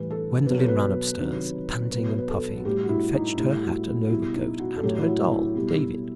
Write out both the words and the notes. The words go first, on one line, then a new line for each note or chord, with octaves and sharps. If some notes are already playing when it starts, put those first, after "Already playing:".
Gwendolen ran upstairs, panting and puffing, and fetched her hat and overcoat and her doll David.
Already playing: A2 E3 G3 B4
A4
B2 F#3 B4
A4
B4
C3 D#3 F#3
B2 F#3 B4
B4
A4
F#4
A2 G3 G4
F#4
E4
D#4
A2 G3 E4
F#4
F#4
F#4
B2 G3 E4
D#4
F#4
A4
A2 F#3 G4
E4
F#4
E4
B2 G3